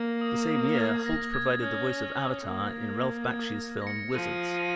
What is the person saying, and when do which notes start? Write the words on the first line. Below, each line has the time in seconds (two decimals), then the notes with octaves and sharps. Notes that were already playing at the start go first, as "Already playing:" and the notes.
The same year, Holt provided the voice of Avatar in Ralph Bakshi's film "Wizards".
Already playing: A#3
0.21 D#6
0.50 D#6
0.70 F6
0.78 G#6
1.06 A#6
1.34 G#6
1.62 C#4
2.46 A#3
3.31 G#6
3.82 A#6
3.87 C#7
4.15 F3 D#7
4.57 D#7